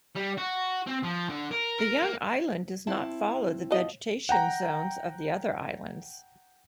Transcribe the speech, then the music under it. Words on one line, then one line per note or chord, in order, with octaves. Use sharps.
The young island does not follow the vegetation zones of the other islands.
G3
F#4
C4
F3
D3
A#4
A#4
A#3
C4 E4 A5
F3 F#4 D#5
F#5 G5 A#5